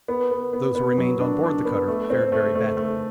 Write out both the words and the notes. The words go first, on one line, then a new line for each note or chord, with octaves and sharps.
Those who remained on board the cutter fared very badly.
B3
B3
B3
B3
F#3
D4
D4
B3
A3
C4
A3
A3
A3